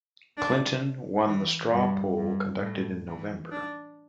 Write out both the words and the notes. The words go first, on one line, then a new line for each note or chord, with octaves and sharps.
Clinton won the straw poll conducted in November.
D4
E3
G2
G2
A2
E3
D4